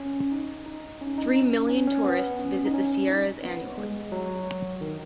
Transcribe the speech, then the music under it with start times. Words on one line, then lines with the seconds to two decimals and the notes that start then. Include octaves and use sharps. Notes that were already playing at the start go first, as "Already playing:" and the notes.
Three million tourists visit the Sierras annually.
Already playing: C#4
0.32 D#4
0.66 D#4
1.01 C#4
1.18 D#4
1.36 C#4
1.70 C#4
1.87 C#4
2.04 B3
2.39 C#4
2.65 D#4
2.74 C#4
3.09 D#4
3.43 B3
3.78 G#3
4.12 F#3
4.81 D#3